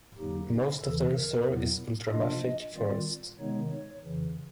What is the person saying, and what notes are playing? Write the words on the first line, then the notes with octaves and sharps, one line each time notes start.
Most of the reserve is ultramafic forest.
F2 D3 F#3 A#3 D#4 G4
D#2 C#3 E3 A4
A#4
E2 B2 F#3 B3 E4
C3 F3 A#3 D4 F4 D#5
D#5
D#3 G3 C4 F4 D5
C3 D#3 G#3 B3 D#4 C#5
C#5
F2 C#3 E3